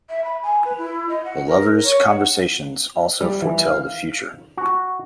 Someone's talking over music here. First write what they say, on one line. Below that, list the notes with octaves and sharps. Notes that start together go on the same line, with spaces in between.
The lovers' conversations also foretell the future.
E5
B5
G#5
B4
E4
D#5
F#5
A#4
C#5
F#5
G3
E3
F5
F#4